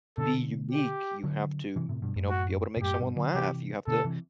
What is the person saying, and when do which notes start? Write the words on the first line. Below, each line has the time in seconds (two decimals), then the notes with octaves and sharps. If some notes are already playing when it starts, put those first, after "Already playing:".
be unique, you have to, you know, be able to make someone laugh, you have to
0.18 B2 D3 A4
0.71 G4
1.24 D3 F#3
1.76 C3 E3
1.89 A2 C3
2.02 G2 B2
2.16 F#2 A2
2.30 F#4
2.77 B2
2.81 F#2 A2 G4
3.00 G2 B2
3.16 D3 F#3
3.34 C3 E3 G4
3.88 B2 D3 A4
4.05 C3 E3